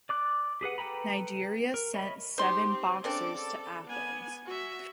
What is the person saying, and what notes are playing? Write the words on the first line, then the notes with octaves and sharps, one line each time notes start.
Nigeria sent seven boxers to Athens.
D5 D6 F#6
G4 G#4 B4 F#5
A4 B4 G5 A#5 B5
A#4
C#5 D#5 E5 B5
D#4 G4 C5 C6
C4
C#3 C4 D4 A4 D6
A4
B3 G#5
F#4 E5